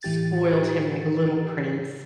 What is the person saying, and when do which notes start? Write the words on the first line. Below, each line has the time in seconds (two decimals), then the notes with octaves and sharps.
spoiled him like a little prince.
0.03 A2 E3 G4 A6